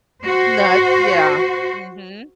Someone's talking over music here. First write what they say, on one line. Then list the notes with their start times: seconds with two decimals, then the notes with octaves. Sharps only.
Nuts, yeah. Mhm.
0.24 F#4 C5